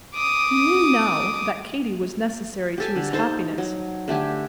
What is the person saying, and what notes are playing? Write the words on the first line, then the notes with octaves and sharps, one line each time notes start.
He knew now that Katy was necessary to his happiness.
D6 D#6
G4 A4 G#5
D3
D#4 A4 C5
F#3
D3 A3 G4 G#5